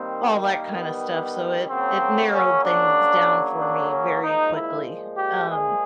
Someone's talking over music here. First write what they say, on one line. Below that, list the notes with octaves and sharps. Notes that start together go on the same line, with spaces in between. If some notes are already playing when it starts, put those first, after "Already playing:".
all that kinda stuff, so it it narrowed things down for me very quickly, um
Already playing: D#3 G3 A#3 C4
A#3
B3
C#3 F#3 A#3 C4
C#4
D4
D4
C#4
A#2 F3 G#3 D#4
E4
G4
G#4